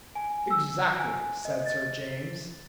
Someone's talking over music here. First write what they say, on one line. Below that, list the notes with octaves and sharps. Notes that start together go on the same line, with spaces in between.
"Exactly," said Sir James.
G#5
E6
G#5
D#5
A6